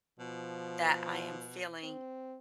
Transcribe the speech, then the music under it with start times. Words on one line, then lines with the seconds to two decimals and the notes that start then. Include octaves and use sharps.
that I am feeling
0.19 B2 F3
1.84 C4